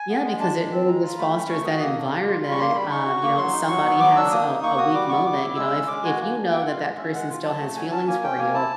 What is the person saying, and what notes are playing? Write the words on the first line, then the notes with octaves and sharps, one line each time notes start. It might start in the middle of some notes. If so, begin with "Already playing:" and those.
Yeah, because it really just fosters that environment of, you know, somebody has a a weak moment, you know, if if you know that that person still has feelings for you
Already playing: G#5
B3
G#3
D4 A5
G#3
C4
G#3 A#5
F4
A3 B5
C#4
A3 C#6
F#4 D#6
A#3 D#6
D4
A#3
F4
G3
C#6
A#3 C6
G3 B5
D#4 C#6
F#4
A#3
F#3 C6
D#4
F#3 C#6
B3
F#3 D6
D4 E6
A#3 D#6
D#4
A#3 C#6
F#4 D#6
G3 D6
B3 C#6
G3 D6
E4
G#3 E6
C#4
G#3 D6
F#4 G#5
A#3
D4
A#3 G5
F4 F#5
F5
G#3 D#5
C#4 E5
G#3 F#5
F4
F#3 A5
A3
F#3 G#5
C#4 A5
A#3 G#5
C#4 G5
A#3 G#5
E4 A5